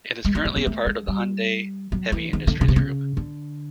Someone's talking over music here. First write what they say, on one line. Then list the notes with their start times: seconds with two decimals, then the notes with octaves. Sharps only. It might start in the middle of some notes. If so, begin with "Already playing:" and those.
It is currently a part of the Hyundai Heavy Industries Group.
0.25 G#3
0.35 A3
0.45 A3
0.56 B3
0.67 A3
0.87 G#3
1.08 G3
1.92 F#3
2.12 E3
2.33 D#3
2.47 D3
2.61 C#3
2.68 C3
2.76 C#3
3.17 D3